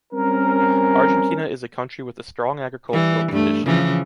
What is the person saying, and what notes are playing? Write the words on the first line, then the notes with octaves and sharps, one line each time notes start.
Argentina is a country with a strong agricultural tradition.
G3 C4 C#4 A#4
E3 G3
G2 A3
C#3 E3 F3